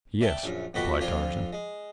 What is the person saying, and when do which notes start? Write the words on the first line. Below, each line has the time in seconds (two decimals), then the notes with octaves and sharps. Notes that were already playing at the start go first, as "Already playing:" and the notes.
"Yes," replied Tarzan.
0.21 D5 E5 G5 A5
0.43 A#1 F#2
0.74 F2 B2 F#4 G4 B4 B5
1.01 F2 C4 D4 F4 G#5
1.53 G#3